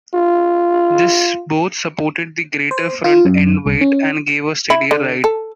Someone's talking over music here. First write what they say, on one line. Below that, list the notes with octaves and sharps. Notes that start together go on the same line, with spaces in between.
This both supported the greater front end weight and gave a steadier ride.
F4
C5
F4
F#2
C2
C#4
E4
D3
A4